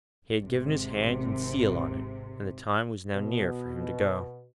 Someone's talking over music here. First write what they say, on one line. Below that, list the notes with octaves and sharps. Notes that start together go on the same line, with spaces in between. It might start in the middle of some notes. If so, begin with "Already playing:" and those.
He had given his hand and seal on it, and the time was now near for him to go.
G#1 C3
B2